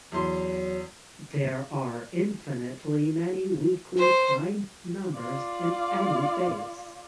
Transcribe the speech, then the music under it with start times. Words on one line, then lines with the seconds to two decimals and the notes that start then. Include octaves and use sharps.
There are infinitely many weakly prime numbers in any base.
0.12 E2 F#3 C6
3.97 C5
5.13 F4 D5